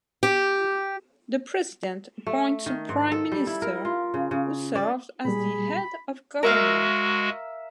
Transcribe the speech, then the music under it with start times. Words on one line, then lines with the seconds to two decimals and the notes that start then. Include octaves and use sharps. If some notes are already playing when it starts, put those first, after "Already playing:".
The president appoints a Prime Minister, who serves as the head of government.
0.23 G4
2.27 A3
2.66 D#3
2.89 G#2
3.12 A4
3.32 G3
3.47 E4
3.62 A#4
3.85 F4
4.14 C#3
4.31 C#3
4.75 D5
5.25 A#2 G3 G#4 B5
6.43 G#3 F#4 A#4 E5 F5